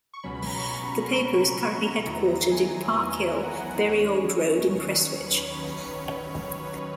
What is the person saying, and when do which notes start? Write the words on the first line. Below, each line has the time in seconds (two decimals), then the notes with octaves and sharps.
The paper is currently headquartered in Park Hill, Bury Old Road in Prestwich.
0.14 C#6
0.23 C#2 B2 F#3 C#4 B5
0.35 B5
0.46 A#5
0.57 C#6
0.68 C#6
1.14 C#6
1.37 B5
1.61 C#6
1.83 B5
2.06 E2 D#3 F#3 B3 E4 A#5
2.28 A#5
2.51 G#5
2.97 G#5
3.35 G#5
3.43 F#5
3.66 F#5
3.88 D#2 D#3 F#3 C#4 C#5
4.11 C#5
5.26 B4
5.48 C#5